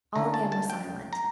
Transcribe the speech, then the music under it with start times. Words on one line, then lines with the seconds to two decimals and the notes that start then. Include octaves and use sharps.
All again was silent.
0.15 D3 A3 C#4 E4 A#5
0.34 A5
0.52 A5
0.70 G5
1.13 A#5